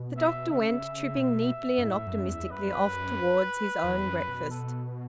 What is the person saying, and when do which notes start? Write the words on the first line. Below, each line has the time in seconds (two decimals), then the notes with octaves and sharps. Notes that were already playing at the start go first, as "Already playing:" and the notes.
The doctor went, tripping neatly and optimistically, off towards his own breakfast.
Already playing: B2
0.17 E5
0.51 C#3 E5
1.17 B2
1.78 F#2
1.84 A2
2.07 F#2
2.28 E2
2.51 F#2 B4
2.85 F#2
3.84 E2
4.06 F#2
4.28 B2
4.51 A4